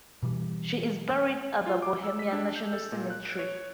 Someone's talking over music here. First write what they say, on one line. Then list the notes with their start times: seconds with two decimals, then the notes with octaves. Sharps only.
She is buried at the Bohemian National Cemetery.
0.23 B2 E3 G3
1.66 F4
1.82 D6
2.04 E6
2.19 B6
2.33 D4
2.56 G6
2.73 A4
2.92 A#2
3.10 F#6
3.25 D7
3.39 C#5